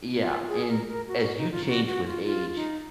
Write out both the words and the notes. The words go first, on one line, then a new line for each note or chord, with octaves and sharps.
Yeah, and as you change with age,
F4
G#4
A#4
A#4
F#4
F#4
D#4
F4
F#4
F#4
F4
F4
D#4